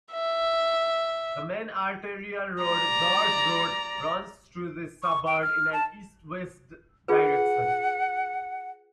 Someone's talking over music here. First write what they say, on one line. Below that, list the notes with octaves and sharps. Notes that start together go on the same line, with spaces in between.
The main arterial road, Gorge Road, runs through this suburb in an east-west direction.
E5
D5 A#5
C#6
G5
F6
A5
F4 G#4 B4 F#5